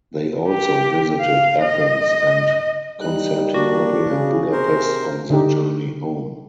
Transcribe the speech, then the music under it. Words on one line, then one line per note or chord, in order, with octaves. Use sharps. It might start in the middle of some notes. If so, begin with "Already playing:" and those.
They also visited Athens and Constantinople and Budapest on the journey home.
G4
F5
D#5
G3 D#4 F#6
A#3 D4 F#4
C#3 G#4
C3 A#4 C5
D3 D#4 G4